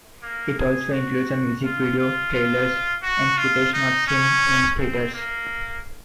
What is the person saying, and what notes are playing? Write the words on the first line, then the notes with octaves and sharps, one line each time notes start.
It also includes a music video, trailers, and footage not seen in theaters.
A#3
G#4
F#4
F4
F4
F4
F#4
F4
D#4
C#4
C4
A#3